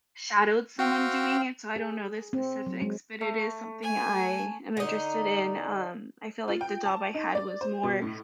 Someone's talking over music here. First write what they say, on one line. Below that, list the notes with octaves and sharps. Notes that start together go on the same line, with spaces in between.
shadowed someone doing it, so I don't know the specifics, but it is something I am interested in. Um, I feel like the job I had was more
C4 F#4 F5 G5
G#4
C4
F#3
G#3
A3
G#5
D3 D#4
F4
G5
A5
D#4
D5
C5
B2
A2